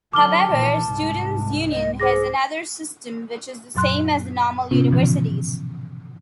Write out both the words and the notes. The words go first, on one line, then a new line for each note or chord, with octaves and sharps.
However, students' union has another system which is the same as the normal universities.
D3 F#3 A5 D6 F6 G7
A#1 E3
C2 G#2
D#5
G#4 C5 D6 A#6
F#2 A#2 F#3 C6 F#6
A2 C3 B3 C#4 F4
G#2 B2 D3 E3 F3